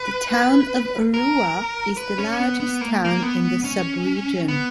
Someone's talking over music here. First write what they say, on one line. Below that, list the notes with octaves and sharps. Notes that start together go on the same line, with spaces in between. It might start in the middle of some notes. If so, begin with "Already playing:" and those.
The town of Arua, is the largest town in the sub-region.
Already playing: B4
A#4
B4
C#4
B3
B3
A#3
A#3
B3
C#4
B3